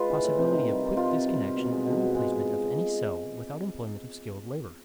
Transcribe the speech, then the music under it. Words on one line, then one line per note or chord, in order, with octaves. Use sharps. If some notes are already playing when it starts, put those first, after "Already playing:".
Possibility of quick disconnection or replacement of any cell without employment of skilled labor.
Already playing: G#3 F4 B4
E3
A2
C3
D#3
G3
D#3
C3 F4
C3
G3
C3
B2
G#3
B2
B2
G#3
G#3